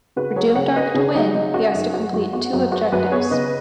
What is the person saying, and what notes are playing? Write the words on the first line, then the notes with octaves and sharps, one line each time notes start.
For Doomdark to win, he has to complete two objectives.
C#3 F#4 B4
F#3 G#4 C#5
C#3 C#5 F#5
C#4 B4 D#5
C#3 G#4 C#5
F#3 D#4
C#3 D#4
C#4 F#4
F#2 D#4 G#4
F#3 F#4
F#2 F#4
B3 F#4
F#2 F#4
F#3 F#4
F#2 F#4 B4
B3 G#4 C#5
C#3 B4 D#5